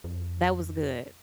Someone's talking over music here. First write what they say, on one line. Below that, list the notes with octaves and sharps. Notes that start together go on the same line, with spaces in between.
That was good.
F2